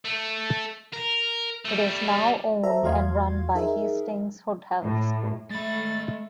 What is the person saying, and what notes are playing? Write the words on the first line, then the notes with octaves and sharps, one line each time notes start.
It is now owned and run by the Hastings Hotels Group.
A3
A#4
G3 A3
F#4 A4 C5 E5 A#5
E2 A3 F#4 F5 C6 G#6
D#4 G#4 A#4 E5
A2
G#3 A3 B5 A6